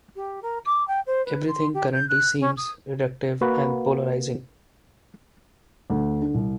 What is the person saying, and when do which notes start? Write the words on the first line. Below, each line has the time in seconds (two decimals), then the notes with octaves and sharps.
Everything currently seems reductive and polarising.
0.16 G4
0.42 A#4
0.66 D6
0.88 G5
1.06 C5
1.25 B4
1.48 C6
1.74 G4
1.93 G6
2.09 F#6
2.40 C#4
2.57 D#6
3.41 A#3 F#4 B4
5.90 D2
6.22 D3
6.34 C2